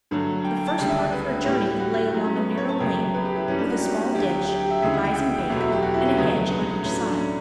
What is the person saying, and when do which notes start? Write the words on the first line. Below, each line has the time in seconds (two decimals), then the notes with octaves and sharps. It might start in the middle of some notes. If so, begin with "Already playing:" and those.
The first part of her journey lay along a narrow lane, with a small ditch, a rising bank, and a hedge on each side.
0.11 G2 D3 F#3 A3
0.45 G5
0.57 G5
0.67 A5
0.78 D2 C#3 G3 G5
0.89 E5
1.12 B4
1.46 A2 E3 G3 G4
1.79 F#4
2.13 A2 F#3 A3
2.24 C#4
2.35 B3
2.57 C#5
2.69 A5
2.80 F#2 C#3 F#3 A3 G5
3.14 B4
3.25 G4
3.36 E4
3.48 F#2 E3 G3 C#4
3.59 D4
3.70 F#4
3.81 G4
4.15 D2 D3 F#3 G4
4.49 G4
4.60 G4
4.70 E5
4.82 D2 C#3 E3 E5
4.94 F#5
5.05 G5
5.16 G5
5.49 E2 B2 F#3 A3 E5
5.61 E5
5.72 G4
5.82 F#4
5.94 E4
6.05 C#4
6.17 D2 C#3 F#3 A3 B3
6.50 B3
6.83 A2 F#3 A3 C#4
6.95 D4
7.06 D4
7.17 C#4